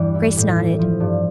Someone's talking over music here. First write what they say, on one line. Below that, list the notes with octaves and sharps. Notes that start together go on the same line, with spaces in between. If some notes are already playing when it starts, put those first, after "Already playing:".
Grace nodded.
Already playing: E2 G2 E3 G3
E4
A2
E4
F3
G2